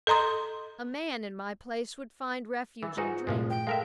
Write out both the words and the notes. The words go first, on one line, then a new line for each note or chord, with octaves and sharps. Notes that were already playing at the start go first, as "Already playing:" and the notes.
A man, in my place, would find refuge in drink.
A4 D#5 A#5 C6 D#6
E3 E6 A6
G#2 D#4 F4 F#4 B4 G#5
C2 G2 A#2 F3 G#3 A3
G5
G#3 A4 A#4 E5 F5 A5